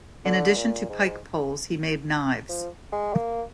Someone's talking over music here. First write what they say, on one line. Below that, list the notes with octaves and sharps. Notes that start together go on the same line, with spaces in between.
In addition to pike poles he made knives.
D3
A#2
G#2
F3
G#3
A#3